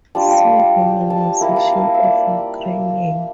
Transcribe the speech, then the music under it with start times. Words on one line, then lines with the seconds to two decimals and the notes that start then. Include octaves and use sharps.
See romanization of Ukrainian.
0.15 G3 D4 F4 A5
0.31 G5
1.10 A5
1.41 A#3 E4 A#5
1.56 A5
1.72 F5
1.94 E5
2.04 D5